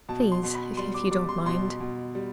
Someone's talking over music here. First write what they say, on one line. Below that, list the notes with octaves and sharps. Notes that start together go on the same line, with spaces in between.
"Please--if you don't mind."
B2 A5
C6
B2
B5
G3 C6
D6
G3 D6
C6
B2 C6
B2
G3